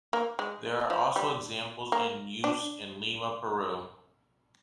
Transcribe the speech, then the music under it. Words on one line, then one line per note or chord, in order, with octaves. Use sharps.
There are also examples in use in Lima, Peru.
A#3
G#3
F3
G3
A#3
D4